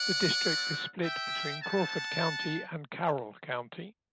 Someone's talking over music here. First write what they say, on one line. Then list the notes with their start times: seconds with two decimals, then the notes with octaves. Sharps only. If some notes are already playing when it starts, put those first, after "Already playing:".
The district is split between Crawford County and Carroll County.
Already playing: D5 F#5
0.44 A3 C4 F#4
1.03 E5 G5
1.62 C4 E4 G4 F#5 A5